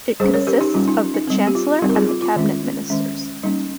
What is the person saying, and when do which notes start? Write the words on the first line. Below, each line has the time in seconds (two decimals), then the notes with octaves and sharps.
It consists of the Chancellor and the cabinet ministers.
0.20 G3 C#4 G#4 C5
0.34 A#4 C#5
0.47 G4 A#4
0.61 D#4 G4
0.74 G3 C#4 F4
0.88 D#4
1.14 D#4
1.27 G3 C4
1.47 G4
1.55 F4
1.82 G3 C4 D#4 G4
1.90 A#4
1.95 F4 G#4
2.09 F4
2.22 F4
2.36 D#3 G#3 C#4
2.90 D#3 G#3 C#4
3.43 G3 A#3 C#4 D#4